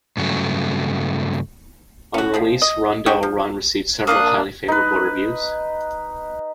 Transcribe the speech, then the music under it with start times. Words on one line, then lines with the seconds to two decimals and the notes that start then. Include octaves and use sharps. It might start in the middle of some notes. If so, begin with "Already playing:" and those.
On release, "Run Devil Run" received several highly favourable reviews.
0.17 G2 C#3 F#3 A3
2.14 C#4 F#4
2.34 C3 F3 G#3
2.62 D#5
3.06 D3 D#4 G4 C#6
3.23 F3
4.07 A#3 D4 D#6 F#6
4.68 D#4 B4